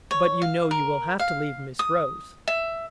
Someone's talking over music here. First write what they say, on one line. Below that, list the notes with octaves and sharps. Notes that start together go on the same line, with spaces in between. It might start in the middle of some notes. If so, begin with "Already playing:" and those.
"But you know you will have to leave Miss Rose."
C#5
F5
A#4
F5
D#6
E5